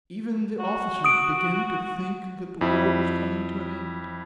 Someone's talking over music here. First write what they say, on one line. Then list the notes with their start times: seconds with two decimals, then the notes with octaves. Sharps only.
Even the officers began to think that the world was coming to an end.
0.59 F#4
1.04 D#6 D7
2.61 F2 E4